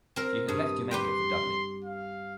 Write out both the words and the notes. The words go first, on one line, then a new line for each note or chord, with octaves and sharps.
She had left Jamaica for Dublin.
C4 A#4
G2 D#6
G4 B4 G5 C6
F5